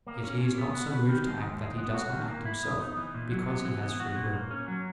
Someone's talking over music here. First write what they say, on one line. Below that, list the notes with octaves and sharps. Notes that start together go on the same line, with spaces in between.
Yet he is not so moved to act that he does not act himself, because he has free-will.
A#3
C#4
A#2
B3
F#4
B4
D#3
G#3
D#2
G#3
B3
F#4
D#3
A#3
E4
B3
D#4
E3
A#2
F#3
B3
E3
B3
F#4
A#2
A#3
C#4
F#3